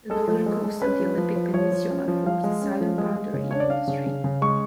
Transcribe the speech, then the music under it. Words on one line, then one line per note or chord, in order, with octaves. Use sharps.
The northern coast of the Olympic Peninsula forms the southern boundary of the strait.
G#3 A4
F3
G#3
G#3
C#4 B4
F3
F3
F3
F3 C#5
F3
C#4
F3
F3 F5
G#3
C#4
F3
G#3
G#3
C#3
D4 C#5
D5
D4 F5
C#3
C#3
C#3
G#3 C#6